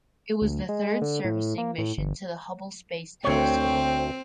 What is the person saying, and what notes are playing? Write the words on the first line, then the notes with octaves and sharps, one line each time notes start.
It was the third servicing mission to the Hubble Space Telescope.
D2
G#3
D3
A2
A#3
A2
G1
D2 C4 C#5 G5